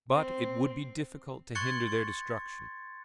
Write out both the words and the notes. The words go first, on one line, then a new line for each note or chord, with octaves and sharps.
But it would be difficult to hinder their destruction.
C4
C6 C#6 F#6 G#6 A6 C#7